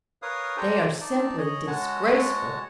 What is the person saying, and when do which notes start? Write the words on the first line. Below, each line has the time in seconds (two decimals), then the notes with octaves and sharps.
They are simply disgraceful.'
0.22 A#4 B4 C#5 F5 D#6
0.57 D4 G4 A4 C5 G5 A#5
1.01 D#4 D5 A5
1.38 G#4 C#5 D#5
1.67 G#3 F#4 C#5 F#5 A5